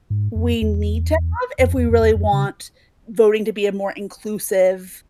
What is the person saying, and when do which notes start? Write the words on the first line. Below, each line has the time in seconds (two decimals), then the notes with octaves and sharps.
we need to have if we really want voting to be a more inclusive
0.10 G#2
0.35 F2
0.62 E2
1.59 E2
1.64 F2
1.77 E2
1.90 F2
2.02 E2
2.15 F2
2.33 C#3